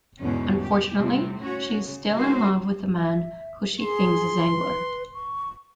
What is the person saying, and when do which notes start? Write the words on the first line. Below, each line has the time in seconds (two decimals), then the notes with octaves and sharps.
Unfortunately, she is still in love with the man who she thinks is Zangler.
0.21 E2 G#2 B2 D3 C#4
0.62 G4
0.93 A2 C3 G3
1.41 C#4 F#4 C#5
1.78 C#3
2.15 G#3 C4 C#4 D#4 F#4 C5
2.97 E5
3.81 G#4 C6
4.50 B4
5.14 C#6